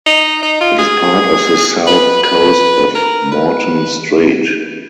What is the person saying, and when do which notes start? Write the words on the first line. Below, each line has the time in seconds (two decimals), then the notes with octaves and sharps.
It is part of the south coast of Morton Strait.
0.06 D#4
0.43 D#4
0.60 F4
0.79 G#4
1.87 B4
2.23 B4
2.95 A#4
3.32 B4